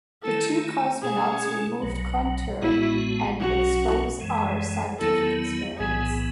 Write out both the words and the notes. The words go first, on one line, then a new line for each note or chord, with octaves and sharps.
The two cosmonauts removed Kontur and Expose-R scientific experiments.
D#3 A3 E4 A4
B2 A3 C#4 G#4
B1 B2 F#3
A1 A2 G#3 B3 E4 F#4
B1 B2 F#3 C#4 F#4
F#2 E3 G#3
E2 D#3 F#3 B3 E4 A4
B1 A2 E3 B3 G#4